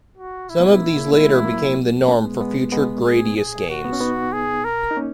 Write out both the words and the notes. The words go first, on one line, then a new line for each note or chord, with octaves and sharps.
Some of these later became the norm for future "Gradius" games.
F#4
E4
G#3 B3
B3 D#4
A#3 C#4
A#3 C#4
G#3 B3 E4
E3 G#3
F#3 A#3
A#3 C#4
G#3 B3
G#3 B3
G#3 B3
G#4
G#4
F#4
B3
C#4
B3 D#4
G#4
A#4
D#4
A#3 C#4